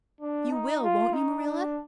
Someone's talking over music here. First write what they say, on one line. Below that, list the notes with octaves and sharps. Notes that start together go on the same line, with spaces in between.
You will, won't you, Marilla?
D4
D#4
F4
D#4
D4